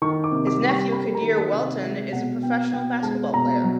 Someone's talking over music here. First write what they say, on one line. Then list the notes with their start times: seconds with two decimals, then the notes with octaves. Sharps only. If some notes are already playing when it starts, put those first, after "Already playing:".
His nephew, Quadir Welton, is a professional basketball player.
0.02 D#3 C#6
0.24 D6
0.32 C3
0.47 D6
0.62 G3
0.69 C#6
0.92 A#3 B5
1.15 A#5
1.23 D#3
1.38 A5
1.53 C3
1.60 D#5
1.83 G#3 E5
2.12 B2 F#5
2.43 B3 G5
2.73 B2 G5
3.03 G#3 A5
3.34 B2 A#5
3.64 F#3